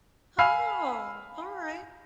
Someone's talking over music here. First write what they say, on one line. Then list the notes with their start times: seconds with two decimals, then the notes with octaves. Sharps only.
Oh, alright.
0.39 F5 G#5 B5 E6 F6 C7